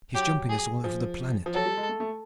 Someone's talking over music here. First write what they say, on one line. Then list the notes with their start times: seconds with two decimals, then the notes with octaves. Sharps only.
He's jumping us all over the planet.
0.15 F#3 G4
0.49 G#4
0.84 F3
1.46 F3
1.54 F#3 A4
1.66 G3
1.77 G#3
1.89 A3
2.00 A3